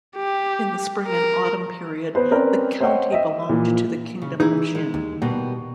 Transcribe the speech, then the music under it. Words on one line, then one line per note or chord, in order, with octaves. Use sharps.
In the Spring and Autumn period, the county belonged to the kingdom of Jin.
G4
A#4
B3 B4 C5
C4 C#4 A#4 B4 D5
C5 C#5 D#5 F#5 G5
D#5 E5
A#2 E3 F3
C#3
E3 D#4 E4 G#4 B4
G#3
D#2
B2 G3 A#3 B3